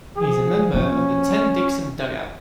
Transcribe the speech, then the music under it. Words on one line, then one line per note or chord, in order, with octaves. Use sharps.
He is a member of the Tenn-Dixon Dugout.
F3 G#4
E3 A#3 C#4